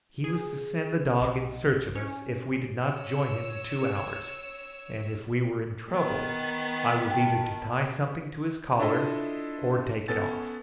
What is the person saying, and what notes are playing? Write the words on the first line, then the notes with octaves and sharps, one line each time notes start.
"He was to send the dog in search of us if we did not join him in two hours; and if we were in trouble I was either to tie something to his collar or take it off."
G#4
B1
C#4
C#5 E6
D#3 B3
G5 A5
D4 E4 F4 A4 D#5 E5
B3 C#4 A4 G#5 A6